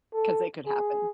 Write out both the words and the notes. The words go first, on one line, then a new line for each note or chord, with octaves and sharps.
'Cause it could happen.
A4
G#4